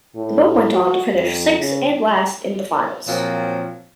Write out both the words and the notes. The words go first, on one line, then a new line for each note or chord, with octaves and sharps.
The boat went on to finish sixth and last in the finals.
A2
F#4
F2
C#3
A#2 F3 F#3 C4